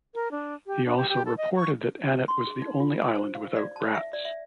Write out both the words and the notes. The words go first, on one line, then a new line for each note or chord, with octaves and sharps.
He also reported that Annet was the only island without rats.
A#4
D4
G4
D4
G4
G4
A4
D#5
C#6
D4
C6
G#4
D#4
F4
C5
F5
D5
A5
E5
D5
E5